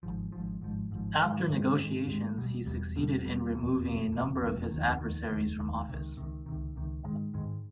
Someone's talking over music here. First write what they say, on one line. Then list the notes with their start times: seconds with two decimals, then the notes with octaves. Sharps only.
After negotiations he succeeded in removing a number of his adversaries from office.
0.03 G#1 G#2 F3
0.32 G#1 G#2 F3
0.61 G#1 G#2 F3
0.91 G#1 G#2 F3
1.20 G#2 D#3 G#3
1.49 G#2 D#3 G#3
1.78 G#2 D#3 G#3
2.07 G#2 D#3 G#3
2.36 E1 E2 B2 G3
2.65 E1 E2 B2 G3
2.96 E1 E2 B2 G3
3.24 E1 E2 B2 G3
3.54 F1 E2 B2
3.83 F1 E2 B2
4.12 F1 E2 B2
4.42 F1 E2 B2
4.71 F1 D#2 D#3
5.01 F1 D#2 D#3
5.29 F1 D#2 D#3
5.58 F1 D#2 D#3
5.88 C#2 C3 D#3
6.17 C#2 C3 D#3
6.46 C#2 C3 D#3
6.76 C#2 C3 D#3
7.04 G#2 D#3 G#3
7.34 G#2 D#3 G#3